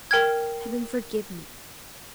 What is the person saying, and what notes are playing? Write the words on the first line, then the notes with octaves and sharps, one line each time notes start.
Heaven forgive me!'
A#4 G5 F6 G#6